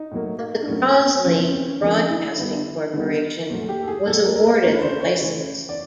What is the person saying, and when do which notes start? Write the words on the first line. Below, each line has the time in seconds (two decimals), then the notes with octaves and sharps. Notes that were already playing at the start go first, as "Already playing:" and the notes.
But the Crosley Broadcasting Corporation was awarded the license.
Already playing: D#4
0.11 A2 F#3 A#3
0.62 D4
0.68 A2 F#3 A#3 C#4
0.87 C4
1.06 C#4
1.24 C#3 F3 A#3 C#4
1.38 C4
1.53 C4
1.67 C#4
1.81 C#3 F3 A#3 D4
2.09 E4
2.37 D3 G3 B3
2.93 D3 G3 B3
3.50 A#2 F#3 A3
3.69 G4
3.83 A4
3.88 G#4
4.06 A#2 F#3 A3 A4
4.25 A#4
4.36 A#4
4.44 B4
4.63 C#3 E3 A3 C#5
4.75 B4
4.81 C5
5.01 C#5
5.19 C#3 E3 A3
5.69 D5